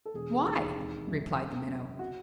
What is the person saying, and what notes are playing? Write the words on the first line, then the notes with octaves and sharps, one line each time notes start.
"Why?" replied the Minnow.
A4
E1 G#4
D#2 G#4
G#1
F#2
F#1
F#2
F#4